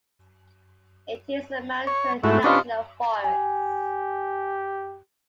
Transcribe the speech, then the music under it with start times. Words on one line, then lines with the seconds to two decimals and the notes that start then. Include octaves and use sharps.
It is in the Mount Hood National Forest.
1.87 C#5
2.23 G#2 A3 E4 F#4
2.44 C3 C#4 D4 F4 B4 D#5
3.24 G4 G#5